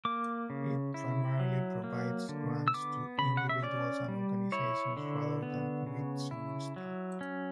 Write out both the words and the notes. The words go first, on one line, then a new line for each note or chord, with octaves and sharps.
It primarily provides grants to individuals and organizations rather than through its own staff.
A#3 D6
C#3
E4
F#3
A#3
D3
E6
B3 D6
C#3 B5
F#5
E5
C#4 D5
G3
E4 C#5
D3
B3
C#3
E4
F#3
C#4